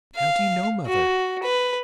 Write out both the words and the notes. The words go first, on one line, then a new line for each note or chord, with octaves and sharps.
"How do you know, mother?"
F5
F#4
B4